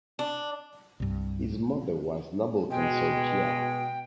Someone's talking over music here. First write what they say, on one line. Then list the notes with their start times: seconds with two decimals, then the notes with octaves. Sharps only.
His mother was Noble Consort Jia.
0.19 D4
1.00 C2 G2
2.71 B2 G#3 G5